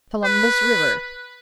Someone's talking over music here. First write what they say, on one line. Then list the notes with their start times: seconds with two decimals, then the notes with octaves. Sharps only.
Columbus River.
0.24 B4